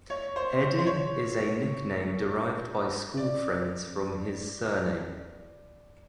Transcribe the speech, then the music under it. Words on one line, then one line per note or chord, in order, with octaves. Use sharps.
"Eddie" is a nickname derived by schoolfriends from his surname.
C#5
C5
C5
C5
C#5
D5